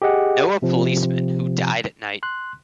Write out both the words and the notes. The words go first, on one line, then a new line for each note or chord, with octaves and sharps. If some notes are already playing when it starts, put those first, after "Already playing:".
Know a policeman who died at night.
G4 G#4 D#5 F#5
C3 F3
C6 F#6